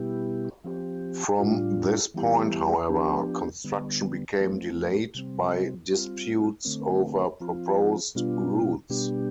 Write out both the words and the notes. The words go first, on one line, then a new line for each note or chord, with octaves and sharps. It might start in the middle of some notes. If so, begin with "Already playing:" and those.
From this point, however, construction became delayed by disputes over proposed routes.
Already playing: B2 G3 B3 E4 G4
F3 C4 G4
A2 G3 D4 F4
E3 G3 B3 E4 G4
F3 B3 D4 G4
D3 G3 B3
F3 A3 C4
C3 G3 C4
G3 C4 F4
D3 A3 C4
F3 C4 F4
B2 G3 B3 D4 F4
B2 G3 B3 D4 G4